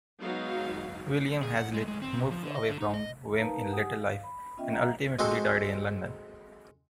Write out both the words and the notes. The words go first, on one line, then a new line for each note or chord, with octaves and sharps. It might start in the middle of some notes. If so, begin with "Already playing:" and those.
William Hazlitt moved away from Wem in later life and ultimately died in London.
F#3 G#3 B3 D#4 F#4 F5
G#4
F#5
G#3
G#3
C4
B2
F3
D3
D#5
D3
D#4
D#5
D#4 A#4 B4 F5 A5 A#5
G4 F#5 G#5 D#6
F5
B5
B3 C#4 F4 D#5 E5 G5
D#5 E5 F#5 A#5
G#3 C4 F#4 A4 C5